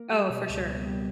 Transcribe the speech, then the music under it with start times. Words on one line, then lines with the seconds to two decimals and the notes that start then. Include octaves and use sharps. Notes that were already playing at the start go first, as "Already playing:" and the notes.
Oh, for sure.
Already playing: A#3
0.12 G3
0.30 B2
0.49 C#2
0.67 B3
0.86 G3